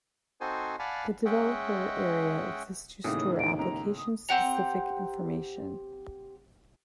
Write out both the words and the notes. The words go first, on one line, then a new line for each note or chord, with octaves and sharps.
The developer area exists to store application-specific information.
C4 D#4 F#4 A4 C5 G#5
D5 F5 F#5 G#5 A5 B5
G#3 C#4 D#5 E5 F#5 G5
D#2 A2 C#3 E3 B3 G4 D#6
D#3 D7
C#2 B2 A#5
D#6
C4 G4 F#5 A#5